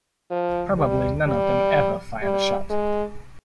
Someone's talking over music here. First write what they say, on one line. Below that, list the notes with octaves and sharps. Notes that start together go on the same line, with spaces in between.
Probably none of them ever fired a shot.
F3
G3
G3
G3
G#3